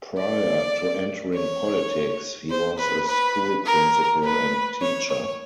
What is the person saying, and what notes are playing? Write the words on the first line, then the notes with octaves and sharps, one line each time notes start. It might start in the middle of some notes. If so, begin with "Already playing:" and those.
Prior to entering politics, he was a school principal and teacher.
D5
C#5
C5
B4
B4
A#4
B4
C#5
C#5